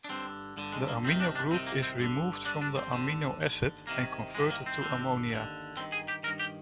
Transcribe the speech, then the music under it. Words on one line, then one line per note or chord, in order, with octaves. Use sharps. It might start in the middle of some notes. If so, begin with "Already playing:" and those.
The amino group is removed from the amino acid and converted to ammonia.
D4
G2 D3 C4
G2 D3
G#3
A#3
C2 C3 D#3 C4
D4
D4
C2 C3 D#3 C4
A#3
C4
G2 D3
G2 D3 D4
D4
C4
D#2 D3
D#2 D3
C2 C3 D#3 A#3
C2 C3 D#3 G#3
A#3
C4
D#2 D3
D#2 D3
G2 D#3 C4
G#4
G4
G2 D#3 A#4
G4